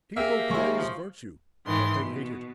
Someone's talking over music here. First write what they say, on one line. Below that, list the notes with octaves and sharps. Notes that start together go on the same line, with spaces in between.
People praise virtue, but they hate it.
A#3 G4 G#4 E5
D#2 G#3 E5 C#6
F3
G#2 D#3 E3 C6
B2